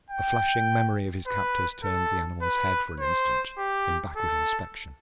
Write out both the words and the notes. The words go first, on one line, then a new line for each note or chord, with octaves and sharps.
A flashing memory of his captors turned the animal's head for an instant in backward inspection.
G5
B4
A4
B4
C5
G4
A4